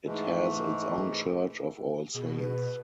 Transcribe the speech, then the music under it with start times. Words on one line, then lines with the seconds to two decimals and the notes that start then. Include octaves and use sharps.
It has its own Church of All Saints.
0.06 G#2 E3 G#3 A3
2.15 B2 G#4
2.38 B4